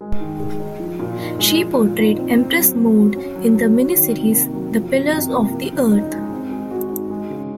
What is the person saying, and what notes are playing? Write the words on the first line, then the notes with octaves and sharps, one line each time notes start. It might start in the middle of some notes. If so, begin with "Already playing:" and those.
She portrayed Empress Maud in the miniseries "The Pillars of the Earth".
G#3
D#3
G#4
D#4
F3
A#2
D#4
G#3
F3
A#2
D#4
C4
C4
F#3
F#3
F#4
C#4
F#3
F#3
F#4
D#3
C3
A#3
F#3
F3
C3
C3
A#3
F3
C#3
D#4
G#3
C4
G#3
F#4
D#4
G#3
C#3